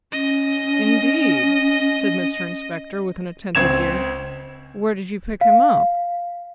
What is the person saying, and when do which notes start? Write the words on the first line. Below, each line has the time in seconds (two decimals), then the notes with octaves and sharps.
'Indeed?' said Mr Inspector, with an attentive ear; 'where did you pick him up?'
0.12 C#4 D#5
3.55 C#2 C4 G#6 E7
5.41 F5